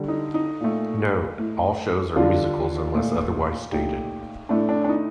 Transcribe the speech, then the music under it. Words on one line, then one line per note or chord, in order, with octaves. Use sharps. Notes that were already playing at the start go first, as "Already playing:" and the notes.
Note: All shows are musicals unless otherwise stated.
Already playing: D3 G3
D#4
D#4
A#2 A3
A2 A3
D3 G3 D4 F4
A#2 A3
A#2 A3 D#4 G4
A2 A3 D4
D4
D4
D#4